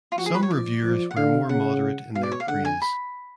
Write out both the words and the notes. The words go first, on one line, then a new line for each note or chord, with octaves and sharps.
Some reviewers were more moderate in their praise.
F4
F3 F#4
G#4
B4
C#5
F3 D5
F3
F#5
D3 F5
C#3 F#5
B2 F5
D5
C#5
F5
D3 F#5
G#5
B5